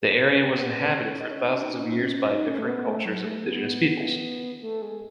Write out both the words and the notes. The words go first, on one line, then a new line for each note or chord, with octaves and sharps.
The area was inhabited for thousands of years by differing cultures of indigenous peoples.
C#4
B3
B3
C#4
C#4
D#4
C#4
D#4
C#4
D#4
C#4
D#4
C#4
D#4
C#4
A3
B3
A3
F#3
A3
B3
A3
G#3